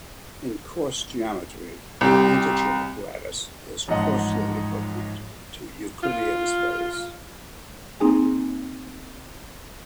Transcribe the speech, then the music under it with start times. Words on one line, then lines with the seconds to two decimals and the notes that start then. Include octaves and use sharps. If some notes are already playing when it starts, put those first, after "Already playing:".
In coarse geometry, the integer lattice is coarsely equivalent to Euclidean space.
2.01 C2 G4
3.88 A1 G#2 F3 D#5 F#5 A5
6.03 F4
8.00 A#3 C4 D#4 G#4 G#5